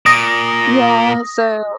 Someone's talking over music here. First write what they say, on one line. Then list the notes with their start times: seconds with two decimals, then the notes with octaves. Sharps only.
Yeah, so,
0.06 A#2 D#6 A#6